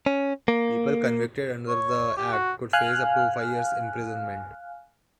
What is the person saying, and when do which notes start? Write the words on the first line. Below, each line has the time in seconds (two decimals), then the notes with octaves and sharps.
People convicted under the act could face up to five years imprisonment.
0.06 C#4
0.48 A#3
1.68 C#5
2.17 G4
2.33 F#4
2.73 F5 G#5 F6 F#6